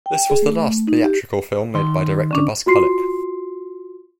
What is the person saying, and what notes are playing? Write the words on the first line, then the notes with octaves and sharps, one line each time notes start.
This was the last theatrical film made by director Buzz Kulik.
G5
G#4
A3
D#4
G4
D#3 C6
D3 C#4 D4
F4 F#4 C6 C7